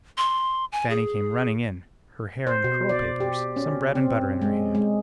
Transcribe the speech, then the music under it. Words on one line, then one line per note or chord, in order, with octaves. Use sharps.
Fanny came running in, her hair in curl-papers, some bread and butter in her hand.
C6
G#5
G#4
C5
B2
D5
G4
C#4
C4
G#3
G#3